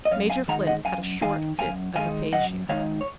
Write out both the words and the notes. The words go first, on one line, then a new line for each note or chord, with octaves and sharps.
Major Flint had a short fit of aphasia.
D#5
F#2 C#5 F5
F5 G#5
D#3 G#3 D#4 F#5 A#5
D#5 F#5
F#2 F5 G#5
D#3 G#3 D#4 F5 G#5
F#2 F5 G#5
D#3 G#3 D#4 F5 G#5
F#2 D#5 F#5
D#3 G#3 D#4 C#5 F5
C#5